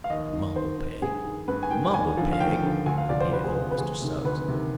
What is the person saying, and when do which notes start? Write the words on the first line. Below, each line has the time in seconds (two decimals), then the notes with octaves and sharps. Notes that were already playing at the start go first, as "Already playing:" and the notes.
"Mumble-peg! mumble-peg!" repeated old Mr. Suggs.
0.04 F5
0.10 D#2 D#5
0.33 D#3
0.56 D#2 C5
0.78 D#3
1.02 G2 G#4
1.25 D#3
1.48 G2 B4
1.63 G#5
1.71 D#3 G5
1.94 D#2 G#5
2.17 D3 F3
2.33 F5
2.40 D#2 G5
2.63 D3 F3
2.86 D2 G#5
2.98 F5
3.09 C3 F3 D5
3.20 C5
3.32 D2 B4
3.44 G#4
3.55 C3 F3 B4
3.71 B4
3.78 D2 G#4
4.02 C3 D#3
4.25 D2 B4
4.48 C3 D#3